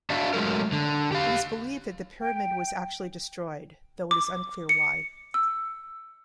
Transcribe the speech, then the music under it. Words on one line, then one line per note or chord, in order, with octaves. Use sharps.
It is believed that the pyramid was actually destroyed, though it is unclear why.
D4 F#4 E5 F5
F#3 G#3 A3 A#4
D3
G4 F5
G5
D6
C#7
E6